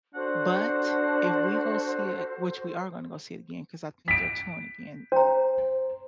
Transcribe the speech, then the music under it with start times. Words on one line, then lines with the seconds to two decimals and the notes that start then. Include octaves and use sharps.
but if we go see it, which we are gonna go see it again 'cause I think they're touring again,
0.15 D4 F#4 A4 C5 F#5
4.08 B6 D7
5.12 C#4 C5 A#5